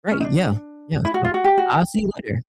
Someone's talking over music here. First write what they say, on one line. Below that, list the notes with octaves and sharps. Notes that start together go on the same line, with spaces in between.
Right, yeah, yeah, so I'll see you later.
C#4
D#4
D4
E4
F#4
F4
F#4
G4
F#4